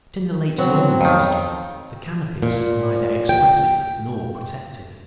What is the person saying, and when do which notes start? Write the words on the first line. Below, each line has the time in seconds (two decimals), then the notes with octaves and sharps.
But in the late northern system the canopies are neither expressive nor protective.
0.58 F#3 B3 C4
1.01 F2 D#3
2.42 A#2
3.29 G5